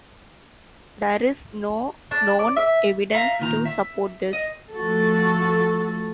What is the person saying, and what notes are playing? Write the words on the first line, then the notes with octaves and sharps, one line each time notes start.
There is no known evidence to support this.
D4
D5
E5
E5 F5 A#5
A#2 D#3 A#5
E5
D#5
F3 A3 F#4 A4